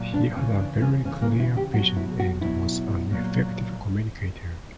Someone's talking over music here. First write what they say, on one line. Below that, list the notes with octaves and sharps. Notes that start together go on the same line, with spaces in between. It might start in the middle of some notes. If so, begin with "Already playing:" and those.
He had a very clear vision and was an effective communicator.
Already playing: A#2 F#3
D4
C#3 E3 C#4
D4
C#4
C#3 E3 C#4
A#3
E4
G4
B2 F#3 F#4
E4
F#4
B2 F#3 E4
A#2 F#3